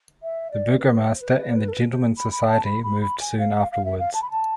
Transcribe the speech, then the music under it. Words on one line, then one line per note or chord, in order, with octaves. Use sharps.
The burgomaster and the Gentlemen's Society moved soon afterwards.
E5
D5
B4
B4
C5
B4
B4
D5
B4
A4
B4
C5
B5
B5
A5
B5
B5
B5
G#5
F5
F5
F5
E5
F5
A5
B5
A5